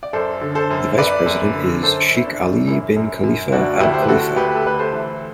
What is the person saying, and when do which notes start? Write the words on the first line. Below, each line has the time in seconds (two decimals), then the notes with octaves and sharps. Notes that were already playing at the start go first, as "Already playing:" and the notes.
The Vice-President is Sheikh Ali Bin Khalifa Al-Khalifa.
0.03 D5
0.13 F#2 A4 C5
0.41 D3
0.55 A4 C5
0.70 F#2
0.98 F#2 B4 D5
1.26 F#2
1.54 D3
1.83 F#2 A4 C5
2.11 F#2
2.17 E4
2.26 D4
2.39 F#2
2.67 F#2 E4
2.96 F#2
3.24 F#2
3.52 D2 D4 F#4
3.80 D2 E4 G4
3.93 C5
4.02 B4
4.09 D2 F#4 A4
4.36 D2 G4 B4
4.55 A4
4.66 D2 B4
4.79 A4 C5
4.93 E3